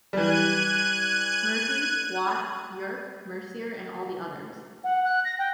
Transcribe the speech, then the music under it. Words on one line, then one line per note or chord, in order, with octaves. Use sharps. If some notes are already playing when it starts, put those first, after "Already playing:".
Murphy, Watt, Yerk, Mercier and all the others.
E3 G3 F#6 G#6 D#7
F#5
F#6
A#6
G5